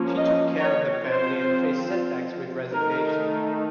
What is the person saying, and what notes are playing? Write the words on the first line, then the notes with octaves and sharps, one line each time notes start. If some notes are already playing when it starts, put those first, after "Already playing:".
She took care of the family and faced setbacks with resignation.
Already playing: F3 A#3 C#4
D#5
C#5
F3 C4 F4 C5
D#3 A3 D#4 A#4